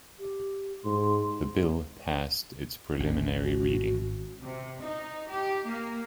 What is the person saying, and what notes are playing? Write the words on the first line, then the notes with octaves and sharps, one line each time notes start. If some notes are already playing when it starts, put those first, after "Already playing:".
The bill passed its preliminary reading.
G4
G#2 C6
G#1 C#4
F#4
C3
D#4
G4
A#3